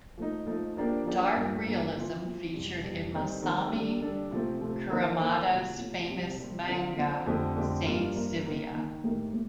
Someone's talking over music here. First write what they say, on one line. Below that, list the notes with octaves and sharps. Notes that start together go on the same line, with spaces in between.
Dark realism featured in Masami Kurumada's famous manga "Saint Seiya".
F3 A3 D#4
F3 A3 D#4
F3 A#3 D4 G4
F3 A#3 D4 G4
G2 F3 A#3
G2 F3 A#3
F3 C4 F4
F3 C4 F4
F2 C3 G3
F2 C3 G3
D#3 G3 C4 D#4 A4
D#3 G3 C4 D#4 A4
G3 D4 A4
G3 D4 A4
C3 F3 A3 C4
C3 F3 A3 C4
D#3 A#3 D#4 A4 C5
D#3 A#3 D#4 A4 C5
C3 F3 A3
C3 F3 A3
C3 G3 C4
C3 G3 C4
D3 F3 C4 F4
D3 F3 C4 F4
F2 D3 A3 C4 G4
F2 D3 A3 C4 G4
G2 F3 A#3 F4
G2 F3 A#3 F4
D#3 A#3 D#4
D#3 A#3 D#4
A2 A3 D#4 G4 A#4
A2